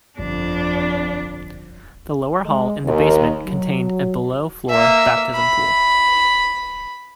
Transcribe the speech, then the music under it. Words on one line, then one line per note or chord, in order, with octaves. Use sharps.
The lower hall in the basement contained a below-floor baptism pool.
G1 F2 D4
G#3
D#2
F#3
A#3 E5
B5